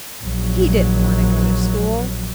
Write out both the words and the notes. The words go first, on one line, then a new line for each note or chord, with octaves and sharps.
He didn't want to go to school.
A#1 F#3